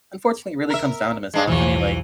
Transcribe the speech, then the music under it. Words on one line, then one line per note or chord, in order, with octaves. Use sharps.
unfortunately really comes down to misogyny. Like,
A#4 E5
G#3 D4
B1 E2 E3 F3